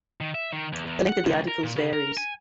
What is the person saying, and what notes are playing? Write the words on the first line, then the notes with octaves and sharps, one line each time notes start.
The length of the articles varies.
D#3
E5
D#3
E2
E2
F#5
C#2
A#4
A#2
C#3
A#4
G#5